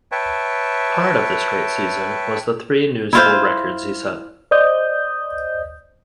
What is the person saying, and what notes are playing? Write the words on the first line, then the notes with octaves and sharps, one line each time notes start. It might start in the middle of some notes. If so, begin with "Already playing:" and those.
Part of this great season was the three new school records he set.
B4 C#5 E5 G5 A5
E4 F4 C5
C5 D5 D#5 D#6 G6